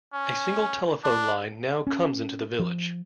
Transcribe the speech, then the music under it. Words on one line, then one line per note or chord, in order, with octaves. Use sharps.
A single telephone line now comes into the village.
C#4
D4
C#4
F3